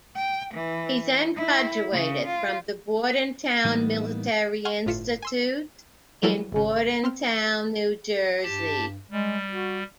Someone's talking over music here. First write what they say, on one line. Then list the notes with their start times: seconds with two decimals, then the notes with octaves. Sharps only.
He then graduated from the Bordentown Military Institute in Bordentown, New Jersey.
0.15 G5
0.54 E3
1.36 E4
1.92 C#3
2.27 F4
3.65 A2 E3 G3 A#3 B3 D#4
4.65 F#5 G#5 C6 C#6 F6
4.86 G1 A2 F4 B6 C#7 E7
5.22 G#5 C6 E6
6.23 E3 F#3 G3 E4 A4 A#4
6.52 G#1 C#3
7.04 C4 C6 F6
8.43 G2 G4 A5
9.11 G3 G#3
9.50 F#4